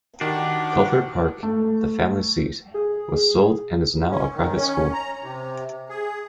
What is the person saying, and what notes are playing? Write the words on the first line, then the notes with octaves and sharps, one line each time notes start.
Culford Park, the family seat, was sold and is now a private school.
D#3 D4 F#4 G4 F#5 D6
A3
G#4
C#4
D#3
C#4
A#5
C3
G#4